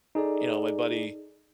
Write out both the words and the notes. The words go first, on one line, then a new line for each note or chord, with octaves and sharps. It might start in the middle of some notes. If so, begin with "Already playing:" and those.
you know, my buddy,
D#4 G#4 A4 D5